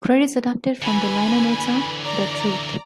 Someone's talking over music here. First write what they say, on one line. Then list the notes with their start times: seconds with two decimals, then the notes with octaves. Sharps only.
Credits adapted from the liner notes of "The Truth".
0.82 D3 E3 B4 G#5 B5
2.03 D5 A#5